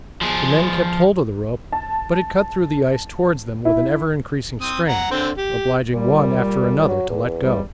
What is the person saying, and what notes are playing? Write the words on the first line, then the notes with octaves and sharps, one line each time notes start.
The men kept hold of the rope, but it cut through the ice towards them with an ever increasing strain, obliging one after another to let go.
F3 G#4
A5
E4
C4 D#6
F#5 A#5
D3 C4 C5
G4
A#2 G3
F#3
E2
G3